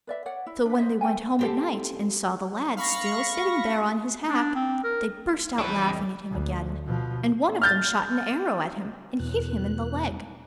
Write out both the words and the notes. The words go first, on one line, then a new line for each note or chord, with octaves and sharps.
So when they went home at night, and saw the lad still sitting there on his hack, they burst out laughing at him again, and one of them shot an arrow at him and hit him in the leg.
B4 D5 E5
C#5 D5 F#5
E4
D4 B4
C5 D#5 E5
A4 C5 G5 G#5
C4 G4 A4
F5 B5 C#6 A#6
D4
C4
A#4
C#2 E3 F#3 G3 D4 B4 C#6
F2 G4 D#5
D2
B2 F3
F6 G6 A6
E2 B2 F#6